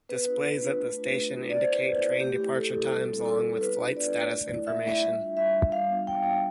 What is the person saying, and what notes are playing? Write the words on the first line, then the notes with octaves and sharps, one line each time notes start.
Displays at the station indicate train departure times along with flight status information.
B3 B4
D4 F4
B3 B4
D4 F4
A3
D4 F4
A3
D4 F4
B3 D5
C5
E4
B4
B3
E4
A3 G4
E4
A3 A4
E4
G3 A4
C4 E4
G3 A4
C4 E4
B3 B4
D4 F4
B3 D5
D4 F4
A3
E4
A3 E5
E4
G3
D4 F4
G3 E5
D4 F4
G3 F5
B3 D4 F4
G3 G5
B3 D4 F4